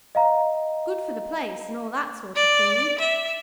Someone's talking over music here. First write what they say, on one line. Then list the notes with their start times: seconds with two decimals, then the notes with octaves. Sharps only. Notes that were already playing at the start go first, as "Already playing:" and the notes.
"Good for the place--and all that sort of thing."
0.15 D#5 F5 A#5
2.36 D5
2.99 E5